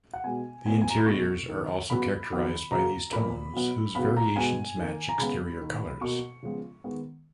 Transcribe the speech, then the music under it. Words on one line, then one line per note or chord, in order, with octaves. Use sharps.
The interiors are also characterized by these tones whose variations match exterior colors.
F#5
B2 G#3 B3 G#5
A#2 F3 B3 G#5
G#5
A#5
B5
B2 G#3 B3 C#6
D#3 A#3
C#3 F#3 B3 B5
D#3 F#3 B3
C#3 F#3 A#3 A#5
A#2 F3 A#3 B5
B2 F#3 B3
C#3 F#3 B3 B5
A#5
B2 G#3 B3 G#5
D#3 A#3
A#5
C#3 G#3 B3 B5
D#3 A#3
B2 A#3 C#6
C#3 F3 G#3 B3
D#3 G#3 B3